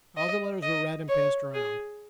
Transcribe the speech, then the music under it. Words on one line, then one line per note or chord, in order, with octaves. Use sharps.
All the letters were read and passed around.
D#5
D#5
C#5
G#4